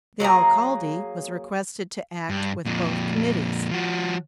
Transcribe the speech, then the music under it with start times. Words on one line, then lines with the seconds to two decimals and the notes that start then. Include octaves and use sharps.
The Alcalde was requested to act with both committees.
0.20 F#3 A#3 G#4 A#5
2.30 G2
2.65 F2 A#2
3.71 F3 F#4